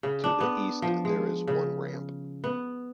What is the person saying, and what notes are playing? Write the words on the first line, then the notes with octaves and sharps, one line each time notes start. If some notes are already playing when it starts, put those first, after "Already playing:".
To the east there is one ramp.
C#3
D4
B3
F3
G#3
C#3
B3